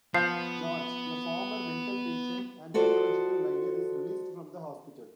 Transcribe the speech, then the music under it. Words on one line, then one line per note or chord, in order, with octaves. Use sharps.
George, a former mental patient and pathological liar, is released from the hospital.
F3 B3 F5 G6 C7
F4 F#4 A4 C5 D5 D#5